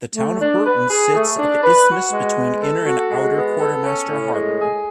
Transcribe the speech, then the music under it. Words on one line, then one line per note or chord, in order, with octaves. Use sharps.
The town of Burton sits at the isthmus between Inner and Outer Quartermaster Harbor.
A3
D4
B4
G#4
A3
D4
B4
F#4
G#3
B3
A4
F#4
G#3
B3
A4
C#4
A2
G#3
G#4